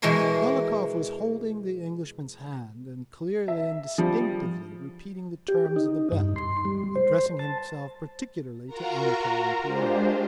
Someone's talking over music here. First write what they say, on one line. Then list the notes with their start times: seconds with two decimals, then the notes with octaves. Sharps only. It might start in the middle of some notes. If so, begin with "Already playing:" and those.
Dolokhov was holding the Englishman's hand and clearly and distinctly repeating the terms of the bet, addressing himself particularly to Anatole and Pierre.
0.02 B2 E3 G#3 A#4 C#5 C6
3.48 E5
3.98 F3 G3
5.48 G4
5.76 D#4
6.12 G2
6.36 C6
6.65 G3
6.96 C5
7.39 A5
8.67 F4 F#4 A#4 A#5
9.65 G#3 D4 F4 G4 C5